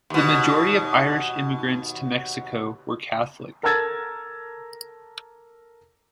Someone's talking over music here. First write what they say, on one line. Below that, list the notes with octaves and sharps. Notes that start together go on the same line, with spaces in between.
The majority of Irish immigrants to Mexico were Catholic.
D#2 B2
A4 A#4 A5 E6 G#6 A6